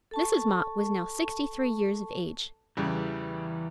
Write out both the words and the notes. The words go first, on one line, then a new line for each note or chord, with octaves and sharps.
Mrs. Mott was now sixty-three years of age.
A4 A5 C#6
E2 C#3 E3 G3